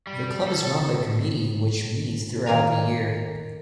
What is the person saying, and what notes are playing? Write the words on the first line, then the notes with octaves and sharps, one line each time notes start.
The club is run by committee which meets throughout the year.
G3
A4
D#3 A#3 G#5 A#5